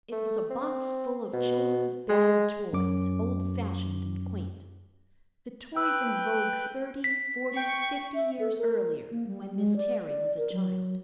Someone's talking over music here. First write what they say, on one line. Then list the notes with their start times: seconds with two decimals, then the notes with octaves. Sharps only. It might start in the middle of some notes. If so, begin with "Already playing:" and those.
It was a box full of children's battered toys, old-fashioned and quaint; the toys in vogue thirty--forty--fifty years earlier, when Miss Terry was a child.
0.12 A3
0.51 C4
1.33 B2
2.09 G#3
2.73 F#2 D6
5.77 B4 G5 E6 F#6
7.04 B6
7.57 G5 C#6
8.14 E5
8.40 A4
8.58 A#4
9.11 A#3
9.27 G3
9.55 G#3
9.77 D5
10.07 D5
10.38 A#4
10.52 F#3